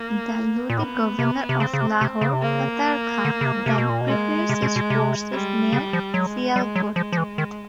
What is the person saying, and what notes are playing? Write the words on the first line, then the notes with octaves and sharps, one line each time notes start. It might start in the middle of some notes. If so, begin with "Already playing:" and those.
The Lodhi governor of Lahore Tatar Khan then prepares his forces near Sialkot.
Already playing: A#3
A#2
A2 B3
C3
C3
C#3 C4
C#3
C3
C3
C#3
C3
C#3 A#3
D3
C#3
C3
C3
B2
A#2
B2
G#3
C3
B2
B2
C3
G3
C#3
F3
F#3 G#3
G3 G#3
F#3
F3 G#3
F3
E3
D#3